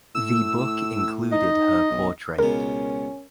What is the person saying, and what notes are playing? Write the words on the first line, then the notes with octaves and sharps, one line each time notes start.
The book included her portrait.
A2 E6
D#4 D#5
B1
C#2 B2 C#4 A#4